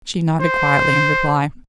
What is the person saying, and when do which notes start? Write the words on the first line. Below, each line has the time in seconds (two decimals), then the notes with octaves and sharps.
She nodded quietly in reply.
0.41 C5